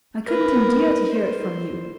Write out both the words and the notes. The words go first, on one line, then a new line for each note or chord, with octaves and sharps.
I couldn't endure to hear it from you.
A#4 B4
C5